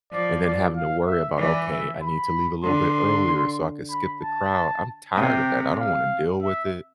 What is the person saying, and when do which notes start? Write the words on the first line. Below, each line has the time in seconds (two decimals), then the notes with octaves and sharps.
and then having to worry about, "Okay, I need to leave a little bit earlier so I could skip the crowd." I'm tired of that, I don't wanna deal with it.
0.13 F3 D5
0.44 D5
0.76 F5
1.07 E5
1.38 E3 D5
1.70 E5
2.02 B5
2.64 D3 C6
3.90 B5
4.22 A5
5.16 C3 G5
5.79 F5
6.42 E5